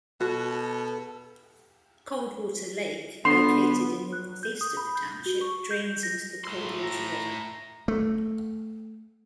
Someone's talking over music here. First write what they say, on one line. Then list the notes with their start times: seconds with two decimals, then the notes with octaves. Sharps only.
Coldwater Lake, located in the northeast of the township, drains into the Coldwater River.
0.20 B2 F#4 A4
3.25 D3 B3 C6
4.13 F#6
4.43 G6
4.61 D#6
4.77 B5
4.95 G6
5.26 F#4
5.41 C#6
5.71 G6
6.03 A#6
6.44 A2 C6
6.83 A#5
7.88 A3